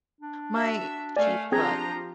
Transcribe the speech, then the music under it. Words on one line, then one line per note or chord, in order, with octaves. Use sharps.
my cheap butt
D4
F#4 E5
A3 D5 F5 G#5
F3 C4 D4 G4 G#4 A#5 G#6